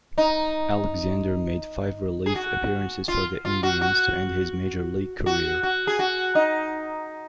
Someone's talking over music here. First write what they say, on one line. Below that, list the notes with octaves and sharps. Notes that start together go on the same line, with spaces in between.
Alexander made five relief appearances for the Indians to end his Major League career.
D#4
G#4
F#4
F4
F4
F#4
F#4
F#4
F#4
G#4
F#4
D#4